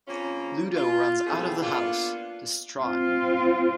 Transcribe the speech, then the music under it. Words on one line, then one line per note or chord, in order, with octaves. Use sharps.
Ludo runs out of the house, distraught.
C#3 A#3 C4 C#4 F4
F4
B2 F3 F#3 A3 C4 G#4
A#3 B3 D4 F4
C4 F4